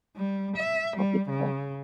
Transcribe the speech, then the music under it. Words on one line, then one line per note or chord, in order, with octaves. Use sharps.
Don't think so.
G3
E5
G3
C#3